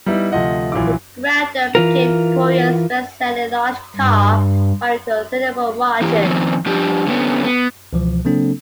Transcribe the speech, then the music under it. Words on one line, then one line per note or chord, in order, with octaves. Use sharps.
The Grandeur became Korea's bestselling large car by a considerable margin.
G3 B3 D#4 E4
D2 C3 F3 F4 D#5 F#5
A#1 E3 F#3 F4 D6
E3 F4 A#4
G2
E2 E3 E4 G4
D#3 F3 C4
F3 D4 G4
D3 A3 B3 C#4
B3
C#2 B2 E3 F3
C#3 F#3 A#3 C4 D4 A4